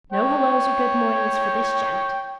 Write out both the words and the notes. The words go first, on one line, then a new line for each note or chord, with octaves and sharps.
No hellos or good mornings for this gent!
C#5 G5